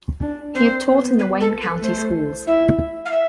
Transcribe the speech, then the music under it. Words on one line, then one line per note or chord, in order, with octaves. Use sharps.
He had taught in the Wayne County schools.
D4
C4 C5
B3
B4
A4
B4
A3 C5
E4 E5
F5
E5